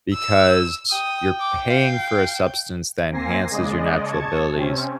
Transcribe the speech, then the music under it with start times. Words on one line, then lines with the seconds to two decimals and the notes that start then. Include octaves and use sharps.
because you're paying for a substance that enhances your natural abilities,
0.14 E6
0.92 G5 D#6
1.40 D6
1.70 F5 G5
3.11 A#3 C4 G#5 A#6 C7
3.50 C#3 G#3 D5 D#5
4.05 A5 C#6 G#6
4.53 C3 C4 C#4